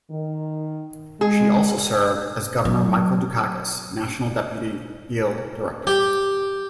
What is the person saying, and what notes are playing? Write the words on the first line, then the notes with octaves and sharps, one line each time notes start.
She also served as Governor Michael Dukakis' national deputy field director.
D#3
G#3 G#4
F#3
G4